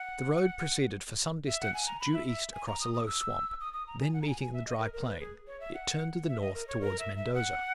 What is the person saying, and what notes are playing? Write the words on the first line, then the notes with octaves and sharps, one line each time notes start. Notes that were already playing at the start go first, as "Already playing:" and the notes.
The road proceeded for some distance due east across a low swamp; then meeting the dry plain, it turned to the north towards Mendoza.
Already playing: F#5
E5
F#5
G#5
A#5
B5
E5
E5
G#5
A#5
D#6
D#6
E6
D#6
D#6
A#5
G#5
F#5
A#5
G#5
G#5
E5
D#5
A#4
A#4
B4
G#4
C#5
E5
F#5
E5
D#5
A#4
C#5
A#4
E5
E5
F#5